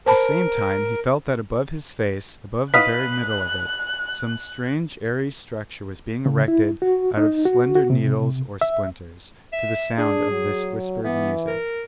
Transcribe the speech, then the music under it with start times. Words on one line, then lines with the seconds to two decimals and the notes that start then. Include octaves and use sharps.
At the same time he felt that above his face, above the very middle of it, some strange airy structure was being erected out of slender needles or splinters, to the sound of this whispered music.
0.06 A#4 C5 A5 B5
2.74 B4 D#5 F5 F#6 B6
6.26 C#3
6.48 E4
6.82 F#4
7.17 D#4
7.45 F#4
7.75 F#4
7.90 C3
8.61 E5
9.52 E5
9.98 D4 G#4
10.31 F#3
11.04 E3 B3
11.47 A#4